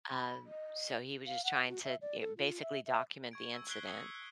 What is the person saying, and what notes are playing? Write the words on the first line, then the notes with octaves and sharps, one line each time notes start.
um, so, he was just trying to, eh, basically document the incident,
B5
D#5
F5
F#5
F#4
E5
D5
A4
F4
E5
E5
C#6 G#6 D7
E6
F#6 G#6 B6 C7 D7 G7
D#6 G#6 C#7
F#6